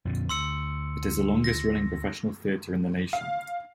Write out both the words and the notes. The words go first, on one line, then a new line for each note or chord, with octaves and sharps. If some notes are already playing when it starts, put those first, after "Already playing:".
It is the longest-running professional theatre in the nation.
F2 A#2 D3
D2 C6 E6 C#7
A#6
F5